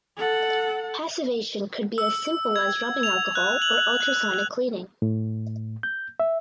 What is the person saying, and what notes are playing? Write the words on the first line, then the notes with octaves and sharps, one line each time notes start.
Passivation could be as simple as rubbing alcohol or ultrasonic cleaning.
A4 F#5
E6
G#6
F7
F#6
F#7
F#6
A2
G6
E5